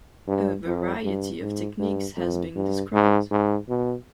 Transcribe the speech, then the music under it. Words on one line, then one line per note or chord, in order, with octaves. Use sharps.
A variety of techniques has been described.
G2
F2
G2
G#2
G2
F2
G2
G#2
G#2
B2